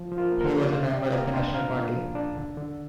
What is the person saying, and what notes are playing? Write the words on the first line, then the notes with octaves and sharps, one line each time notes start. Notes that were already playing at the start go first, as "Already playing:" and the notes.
He was a member of the National Party.
Already playing: F3
F3
F4 A#4
A#3
A#4
G4 C5
D4
D5
C3 C5 F5
C3 D5 G5
G5
A#3 F5 A#5
D4 G5 C6
A#2 F5 A#5
A#2
F3
D4
D3
D3